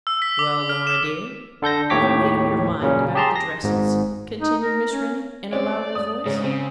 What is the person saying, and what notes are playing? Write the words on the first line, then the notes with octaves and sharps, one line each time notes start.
"Well, Laura dear, have you made up your mind about the dresses?" continued Miss Rennie, in a louder voice.
E6
B6
D6
F6
E7
D3 A4 G6 A#6
D#2 A2 C#5 G5 D6 B6
A#2 C#3 F#3 C#4
G4 G#4 A5 A#5 C6
A#6
G#1 G#2
D#4
A#4
C#4
C4 C#4 D5
D#6
G#2 C#3 C#4
C#3 C4